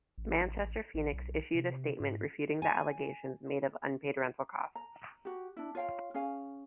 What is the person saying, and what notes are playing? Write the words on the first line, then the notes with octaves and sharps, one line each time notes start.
Manchester Phoenix issued a statement refuting the allegations made of unpaid rental costs.
A1
A1
B1
C3
G#2
G#5
A#5
F#4 G4
D4 E4
F4 C#5 F5 G5
C#4 G#4 F5 G#5